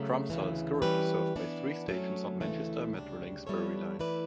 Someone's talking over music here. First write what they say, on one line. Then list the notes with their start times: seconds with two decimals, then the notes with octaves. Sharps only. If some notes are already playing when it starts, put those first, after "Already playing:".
Crumpsall is currently served by three stations on Manchester Metrolink's Bury line.
Already playing: C#3 F#3 A3
0.30 D2 C#3 E3
0.82 E3 G3 C#4 G4 B4
1.36 E3 B3 D4
1.88 F#3 A3 C#4
2.41 D2 C#3 E3 A3 E4
2.93 D2 C#3 G3 D4
3.47 G3 B3 E4 A4 C#5
3.99 E3 A3 E4 B4 D5